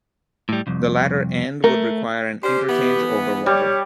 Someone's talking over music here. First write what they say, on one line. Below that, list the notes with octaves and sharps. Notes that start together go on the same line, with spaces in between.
The latter end would require an interchange over water.
A2 G3
C2 F2
A3 A#4
C#4 D4 G4 C5
E3 B3
G3 C#5